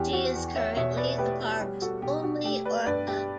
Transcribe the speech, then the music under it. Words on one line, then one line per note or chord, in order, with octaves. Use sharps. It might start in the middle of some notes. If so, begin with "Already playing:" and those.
She is currently the park's only orca.
Already playing: E2 G4
F#4
E2
C#5 E5
B2 C#5 E5
B4 D5
A3 G4 B4
G4
G3 G4
F#4 A4
B2 G4
F#4
A3 G4
B4 D5
G2 B4 D5
G4